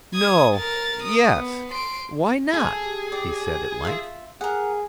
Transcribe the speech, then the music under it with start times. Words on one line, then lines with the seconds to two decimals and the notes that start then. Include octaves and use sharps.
"No--yes--why not?" he said, at length.
0.14 D#6 G#6
0.55 A#4 A6
1.03 D#6
1.33 B3
1.70 C6 D7
2.54 G#4 A4
2.82 G4
3.12 D5 G5
3.85 F4 E5
4.41 G#4 A#4 F#5